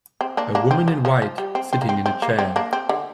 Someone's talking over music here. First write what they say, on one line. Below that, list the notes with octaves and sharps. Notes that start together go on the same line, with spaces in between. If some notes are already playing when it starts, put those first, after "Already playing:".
A woman in white sitting in a chair.
C4
A#3 D4
A#3 D4
C4
F3
F3
F3
G3
C4
C4
A#3
C4
C4
A#3
C4
A#3 D4
C4
D3